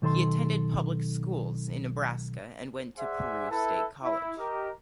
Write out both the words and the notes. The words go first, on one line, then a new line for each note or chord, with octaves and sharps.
He attended public schools in Nebraska and went to Peru State College.
B1 D#3 A4 B4 C6
G#4 C5 D5 E5 F#5 G#5
E4 A4 B4
E4
G4 A#4 D#5